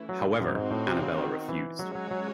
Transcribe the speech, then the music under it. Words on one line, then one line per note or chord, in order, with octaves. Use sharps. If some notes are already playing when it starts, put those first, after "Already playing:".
However, Annabella refused.
Already playing: E3 A3 C#4 E4
F#3
F#2
G#2 C4 D#4 F#4
A2
C3
C#3
D#3
E3
F#3 G#3 C#4 F#4 C#5
F#3
F#3